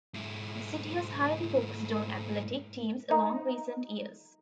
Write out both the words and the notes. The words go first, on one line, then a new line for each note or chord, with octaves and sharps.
The city has highly focused on athletic teams along recent years.
G#2 E4
D#4